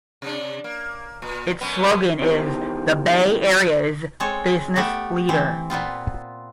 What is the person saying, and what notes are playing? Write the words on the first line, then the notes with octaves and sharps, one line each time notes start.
Its slogan is The Bay Area's Business Leader.
C3 D4
A#3
A#2
F#2 B2 B3
E2 C3 D#3 C4
G#3 C4 A4 C#5
A3 B3 G4 A4
E3 C4
A#2 B3 C4 F4